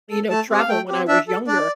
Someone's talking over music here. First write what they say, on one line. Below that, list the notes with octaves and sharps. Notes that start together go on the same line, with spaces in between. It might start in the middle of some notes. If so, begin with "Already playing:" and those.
you know travel when I was younger
A4
A3 A5
C4 G4
F5
A3 G5
C4 G4
D4 E5
A4
D4 D5